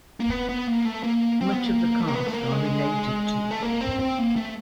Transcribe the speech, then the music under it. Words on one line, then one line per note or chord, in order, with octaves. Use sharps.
Much of the cast are related to him.
A#3
B3
B3
A#3
A3
A#3
C4
B3
A#3
A3
A#3
B3
A3
A#3
G#3
A3
A#3
C4
C4
A#3
A3